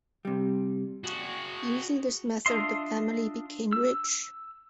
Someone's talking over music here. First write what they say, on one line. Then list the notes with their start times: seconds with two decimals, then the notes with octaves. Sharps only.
Using this method the family became rich.
0.25 C3 G3
1.04 F#4 G#4
2.46 D4 F4 D#5 E5 C6
3.73 E6